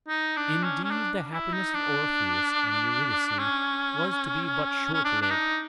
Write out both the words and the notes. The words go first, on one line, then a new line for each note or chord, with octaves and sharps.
Indeed the happiness of Orpheus and Eurydice was to be but short-lived.
D#4
D4
C#4
C#4
D4
E4
D#4
D4
C#4
C#4
D4
D4
D#4